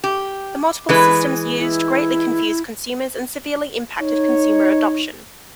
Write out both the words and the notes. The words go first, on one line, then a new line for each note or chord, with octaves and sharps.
The multiple systems used greatly confused consumers and severely impacted consumer adoption.
G4
E3 G#3 B4
E4
D#4 C#5